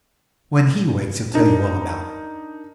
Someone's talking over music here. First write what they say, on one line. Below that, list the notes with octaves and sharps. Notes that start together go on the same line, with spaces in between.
When he wakes he'll tell you all about it.
D4 D#4 A#4